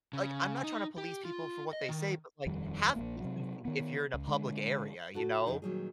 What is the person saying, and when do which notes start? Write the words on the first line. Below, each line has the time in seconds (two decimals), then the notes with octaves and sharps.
like, I'm not trying to police people for what they say, but like, have decency if you're in a public area, you know.
0.13 C#3
0.64 D#4
0.98 G4
1.25 F4
1.73 D#5
1.89 D#3
2.46 D#1 F2 D#3 G3
2.96 A#1 E2 A#3
3.20 C3 F#3
3.65 D#3 B3
4.14 C#2
4.27 D3 G#3
5.14 C#3 F#4 A4
5.46 F2 D#3 D#4 G#4
5.62 A#2 D#3 F#3 G3 G#4